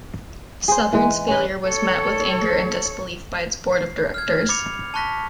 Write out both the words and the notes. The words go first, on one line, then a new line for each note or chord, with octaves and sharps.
Southern's failure was met with anger and disbelief by its board of directors.
G#4 C5
E3 G#3
C#4 B4
A4 C#5
C7
F6 G6 G#6
B5 D6 A6 C#7 F7
A5 B5 C#6 F#6 A#6 B6